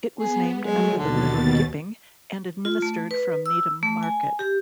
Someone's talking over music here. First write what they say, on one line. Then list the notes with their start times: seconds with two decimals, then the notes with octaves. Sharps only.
It was named after the River Gipping and administered from Needham Market.
0.17 B3 G#4
0.61 F#3 G#3 A3
0.97 D#2 B2 D3 A6
2.65 F4
2.82 A3
3.11 B4
3.46 E6
3.83 A3
4.03 G#5
4.39 G4